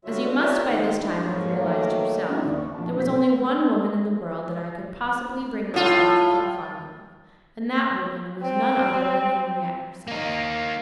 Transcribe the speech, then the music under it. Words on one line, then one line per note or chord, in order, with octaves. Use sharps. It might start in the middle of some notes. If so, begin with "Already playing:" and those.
As you must by this time have realized yourself, there was only one woman in the world that I could possibly bring myself to think fondly of, and that woman was none other than Henriette herself.
D3 G3 F4 F#4 C#5 E5
G4 A#4 C#5 D5 E5
D#3 D#4 C5
G#3 D4 E4 G#4
F2 G#2 F3 A#3 F4 C#5
D#3 F#3 A3 A#3
A#3 B3 C#4 D#4 E4 F#4
F#1 D#2 D5 E5 D6
C#6
A#1 A5
E2 B2 F#3 A3 G6 B6
A2 F4
C4 G5
A#3 D#4